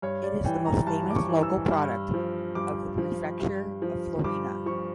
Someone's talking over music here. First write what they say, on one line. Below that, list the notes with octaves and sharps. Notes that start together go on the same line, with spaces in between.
It is the most famous local product of the prefecture of Florina.
G2 C#5
D5
E3 G5
A#5
G2 A5
D6
C#6
E3
E6
G2
F3
G2 D6
F3
G2
F3
G2 D6
F3 C#6